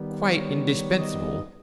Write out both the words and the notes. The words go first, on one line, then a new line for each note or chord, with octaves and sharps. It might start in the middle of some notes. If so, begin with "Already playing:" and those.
"Quite indispensable."
Already playing: D#3 G3 B3
C#5
D#5